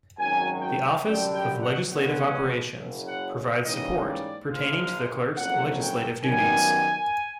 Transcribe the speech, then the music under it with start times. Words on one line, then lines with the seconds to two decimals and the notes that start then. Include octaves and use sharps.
The Office of Legislative Operations provides support pertaining to the Clerk's legislative duties.
0.19 G#1 F#2 D#3 F#3 G#5
0.62 G5
1.04 F#2 D3 G3 G5
1.33 G5
1.62 F#5
1.91 E2 B2 G#3 C#4 F#5
2.77 F#1 F#2 C#3
3.07 F#5
3.64 G#2 E3 G3 A#3 C#4 D#5
4.08 D5
4.50 A#1 G#2 F3 G#3 F5
5.37 F#1 F2 C#3 F#3 F#5
5.81 G5
6.23 F#2 D#3 G3 B3 G#5